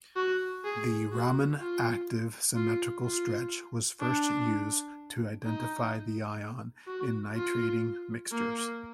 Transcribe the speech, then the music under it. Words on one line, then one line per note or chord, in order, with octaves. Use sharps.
The Raman-active symmetrical stretch was first used to identify the ion in nitrating mixtures.
F#4
G#4
F#4
F4
F4
F4
D4
D#4
F#4
F4
A#3